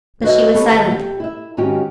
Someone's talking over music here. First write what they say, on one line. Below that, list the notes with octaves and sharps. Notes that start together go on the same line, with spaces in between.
But she was silent.
F#4 B4 C#5 D#5 E5
B3 G4 A4 C#5
D#2
G4
E4 E5
G#2 D#3 C#4 F#4 G4